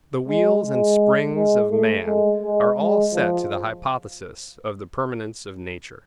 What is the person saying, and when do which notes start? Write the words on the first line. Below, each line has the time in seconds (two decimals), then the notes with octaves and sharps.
The wheels and springs of man are all set to the hypothesis of the permanence of nature.
0.28 G#3
0.64 G#3
1.35 G#3
1.70 A3
2.06 G#3
2.42 G#3
2.78 G#3
3.14 F3